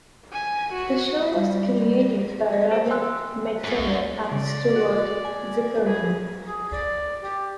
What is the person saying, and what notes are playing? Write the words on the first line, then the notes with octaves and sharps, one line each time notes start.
The show was created by Raven Metzner and Stuart Zicherman.
G#5
F#4
G3
B4 C5
G5 G#5 C6 E6 F#6
F#2
C#3 D5
F#4
G#5
G#4 B4
G#4
D5
G4